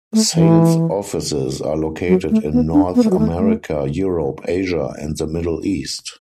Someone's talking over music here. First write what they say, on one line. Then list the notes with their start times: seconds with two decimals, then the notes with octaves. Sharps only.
Sales offices are located in North America, Europe, Asia and the Middle East.
0.13 A3
0.34 E3
2.08 F#3
2.31 A3
2.53 B3
2.74 D4
2.95 B3
3.03 A3
3.11 F#3
3.18 A3
3.39 A3